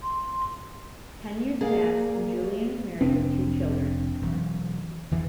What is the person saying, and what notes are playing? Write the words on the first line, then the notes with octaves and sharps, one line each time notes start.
Ten years pass, and Julien is married with two children.
C6
A#3 G#4 D5 F5
F1 C4 D4
E1 E3 F#3
E2 D3 E3